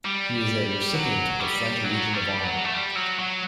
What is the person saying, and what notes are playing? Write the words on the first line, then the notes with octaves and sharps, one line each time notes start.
He is a recipient of the French Legion of Honor.
G3
F#3
G3
F#3
G3
F#3
A3
G3
F#3
F#3